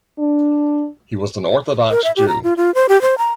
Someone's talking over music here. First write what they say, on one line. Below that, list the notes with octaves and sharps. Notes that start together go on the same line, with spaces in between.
He was an Orthodox Jew.
D4
A#4
E5
G4
A#5
F4
F4
C5
G4
C5
A#5